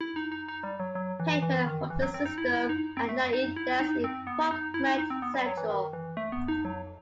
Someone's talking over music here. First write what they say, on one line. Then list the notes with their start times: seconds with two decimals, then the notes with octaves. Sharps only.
Paper from the system are now indexed in PubMed Central.
0.01 E4
0.16 D#4
0.32 D#4
0.48 D#4
0.63 G3
0.80 F#3
0.95 F#3
1.20 E3
1.42 E3
1.66 D#3
1.90 E3
2.02 F#3
2.14 C4
2.26 D#4
2.38 E4
2.53 E4
2.69 D#4
2.97 C4
3.09 A3
3.33 D#4
3.56 E4
3.80 D#4
4.04 C4
4.27 B3
4.51 D#4
4.74 E4
4.87 D#4
4.99 D#4
5.10 C4
5.22 B3
5.34 G3
5.46 F#3
5.57 E3
5.70 D#3
5.93 E3
6.17 A3
6.32 B3
6.48 D#4
6.65 F#3